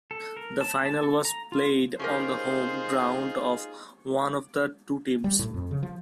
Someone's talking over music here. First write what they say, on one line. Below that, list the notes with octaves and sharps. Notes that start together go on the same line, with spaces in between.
The final was played on the home ground of one of the two teams.
A4
A#4
A5
A5
A4
A#5
F4
C#4 D#4 F4 G4 G#4 A#4 C5
G3
A2
F2
C#3
F3